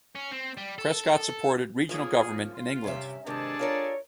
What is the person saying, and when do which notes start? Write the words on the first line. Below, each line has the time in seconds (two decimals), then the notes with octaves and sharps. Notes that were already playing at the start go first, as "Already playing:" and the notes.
Prescott supported regional government in England.
0.15 C#4
0.31 C4
0.57 G3
0.78 A4
1.89 F3 A#3 C#4 G#4
2.53 F4
2.84 G2 C3 C#4 E5
3.26 G#2 C3 D#3 D4 G#4 A4 A5
3.59 F4 A#4 C#5 D5